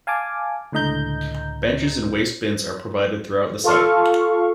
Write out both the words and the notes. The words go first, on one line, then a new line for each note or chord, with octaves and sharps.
Benches and waste bins are provided throughout the site.
F5 G#5 A5 D6
C#2 A2 D3 D#5 A#5 G6
F4 A4 F5 C#6